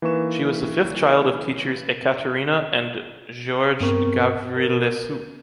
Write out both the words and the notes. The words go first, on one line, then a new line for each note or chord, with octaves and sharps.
She was the fifth child of teachers Ecaterina and Gheorghe Gavrilescu.
E3 A#3 D#4 B4 C#6 E7
G2 B3 C4 A#4 C#6
A#4